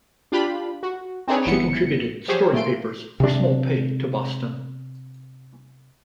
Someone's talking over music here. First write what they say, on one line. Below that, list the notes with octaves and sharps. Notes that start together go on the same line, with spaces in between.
She contributed story papers for small pay to Boston.
D4 F4 G4 B5
F#4
C4 D4 D#4 G#4 B4 C#5
G1 E3 B3 C#7
F3 F#3 G4 G#4 C5 C#5
A#2 A3 C6 D7
C3 D4